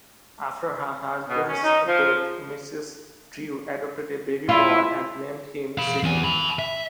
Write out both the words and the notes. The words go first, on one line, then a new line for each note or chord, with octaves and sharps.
After her husband's death Mrs Drew adopted a baby boy and named him Sidney.
B2
C#4
D#4
F3
E4 F4
F5 B5
E2 G#5
G#5 B5
E5